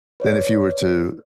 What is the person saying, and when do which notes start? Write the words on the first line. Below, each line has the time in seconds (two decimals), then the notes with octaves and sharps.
than if you were to
0.20 B4 C#5 D5